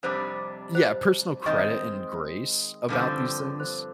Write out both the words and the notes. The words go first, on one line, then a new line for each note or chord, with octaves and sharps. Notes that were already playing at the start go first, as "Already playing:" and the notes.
yeah, personal credit and grace about these things.
F2 C3 G3 D4 C5
C5
D#3 G#3 C4 D#5
G2 D3 F3 C4
C5